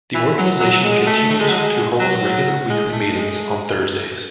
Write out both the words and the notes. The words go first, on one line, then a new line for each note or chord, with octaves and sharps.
The organization continues to hold regular weekly meetings on Thursdays.
E3
F#3
F#3
F#3
G#3
A3
A3
G#3
F#3
G#3
F#3
G#3
A3
G#3